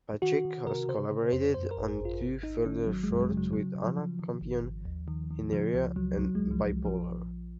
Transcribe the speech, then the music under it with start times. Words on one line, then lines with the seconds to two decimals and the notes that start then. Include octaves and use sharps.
Patrick has collaborated on two further shorts with Anna Campion, "Inertia" and "Bipolar".
0.22 D#3 F#4
0.45 D#3
0.67 C3 A#4
0.89 C#3 C5
1.11 C#3
1.33 F2 C5
1.54 F#2 C5
1.71 A#4
1.77 G#1
1.88 G#4
2.00 G#1
2.05 F4
2.21 G#1
2.43 G#1 D#4
2.65 D#3 C#4
2.87 G#1 F#3
3.03 G#3
3.10 F#2
3.16 F#3
3.21 G#3
3.32 C#3
3.37 F#3
3.53 C#3 F#3
3.75 C#3
3.86 F3
3.98 C#3
4.19 D#3
4.41 G#1
4.63 G#1
4.85 D#2
5.08 D#3
5.31 D#3
5.52 C#3 F3
5.74 C#2 F3
5.96 C#2 F#3
6.18 C2 F#3
6.35 G#3
6.40 C2
6.51 F3
6.62 C2
6.84 A#1 F3